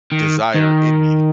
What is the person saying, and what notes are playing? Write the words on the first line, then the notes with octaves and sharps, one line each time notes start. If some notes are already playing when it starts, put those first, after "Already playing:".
desire in me
D#3
D#3